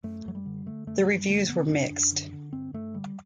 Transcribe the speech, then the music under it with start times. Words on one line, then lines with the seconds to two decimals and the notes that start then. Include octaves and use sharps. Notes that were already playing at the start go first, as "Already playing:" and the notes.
The reviews were mixed.
0.04 F#2 A3
0.26 F#2 F#3
0.35 G3
0.46 D3
0.66 D3 A3
0.87 F#2 A3
0.98 F#3
1.08 F#2 G3
1.28 D3 A3
1.43 A3
1.49 D3 B3
1.69 F#2 D4
1.90 F#2
2.12 D3
2.33 D3
2.53 G2 C4
2.73 G2 A3
2.94 D3 G3